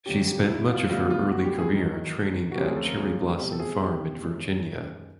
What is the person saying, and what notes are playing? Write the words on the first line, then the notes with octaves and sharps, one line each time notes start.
She spent much of her early career training at Cherry Blossom Farm in Virginia.
F2 D3 F#3 A#3 C#4 G4
G4
E4
F4
D2 D3 G3 B3 F4
F4
F#4
G4
G#4
G#2 D#3 F#3
F#4
D2 C3 F3 A#3 C#4 G4
G#4
A4
A#4
G#4
B2 G3 C4 G4
A4
G#4
G4
F#2 D#3 G#3 C#4